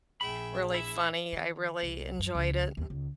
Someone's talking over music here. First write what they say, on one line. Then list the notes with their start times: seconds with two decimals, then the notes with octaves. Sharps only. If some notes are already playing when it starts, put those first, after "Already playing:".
really funny, I really enjoyed it.
0.21 A#1 G#4 E5 G5 B5
0.74 E4 E5 E6
1.33 D#3
1.83 C2
2.19 F#2
2.35 C#2
2.77 D#2
2.90 C#2